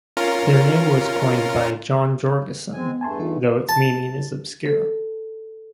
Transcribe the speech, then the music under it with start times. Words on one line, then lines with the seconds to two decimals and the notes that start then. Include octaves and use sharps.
Their name was coined by John Jorgenson, though its meaning is obscure.
0.17 C#4 F4 A#4
2.73 G#3 B3 C4 G#5
3.01 E2 G2 A3 G#5 A5 C6
3.20 E3 D#4 F4 A4
3.69 A5
4.66 A4